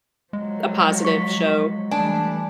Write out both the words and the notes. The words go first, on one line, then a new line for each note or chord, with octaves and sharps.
a positive show.
F3 F#3 G#3
C#6 B6
E3 G3 A3 D4 G#5